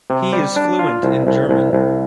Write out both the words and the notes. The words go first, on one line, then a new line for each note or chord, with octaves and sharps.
He is fluent in German.
C3
G3
D4
F4
C2
C2
C2
C2